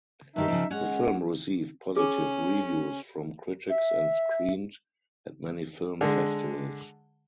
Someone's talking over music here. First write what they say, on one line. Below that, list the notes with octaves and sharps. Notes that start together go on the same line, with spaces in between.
The film received positive reviews from critics and screened at many film festivals.
G2 D#3 D#4 G4 E5
C#3 F3 C4
G#3 C#4 C#5 F#5
C#4 G#4
E5
D3 G#3